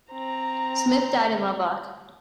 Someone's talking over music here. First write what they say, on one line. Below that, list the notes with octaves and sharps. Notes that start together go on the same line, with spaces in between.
Smith died in Lubbock.
C4 A#5